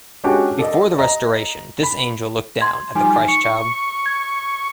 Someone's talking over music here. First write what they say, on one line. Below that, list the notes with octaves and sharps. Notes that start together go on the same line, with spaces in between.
Before the restoration this angel looked down at the Christ child.
G#3 C#4 D4 F#4 G4
A4 D5 D#5
D#5 A#5
B5
C6 G#6
F3 G3 D#4 G#5
C#6 C#7
G#6